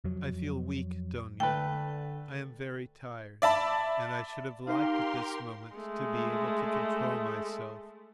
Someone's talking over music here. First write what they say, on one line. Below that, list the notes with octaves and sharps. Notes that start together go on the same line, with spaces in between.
"I feel weak, Dounia, I am very tired; and I should have liked at this moment to be able to control myself."
F2 F#3
D3 A3 B4 G5
D5 E5 A5 B5
D#4 G4 A#4 F5 C6
G#3 A3